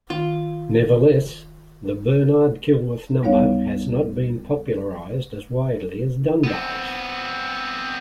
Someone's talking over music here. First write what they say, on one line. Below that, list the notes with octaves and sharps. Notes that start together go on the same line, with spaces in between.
Nevertheless, the Bernard-Killworth number has not been popularized as widely as Dunbar's.
D#3 F4
D2 G3 B3 D#4 C#5 F5
B3 C4